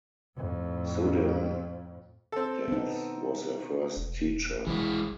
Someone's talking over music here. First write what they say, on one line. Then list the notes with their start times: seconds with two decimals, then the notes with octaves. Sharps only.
Sudhin Das was her first teacher.
0.37 F2 A2
2.32 C4 A4
2.68 B3 D#4
3.96 E1
4.67 G#1 E3 G#3 E4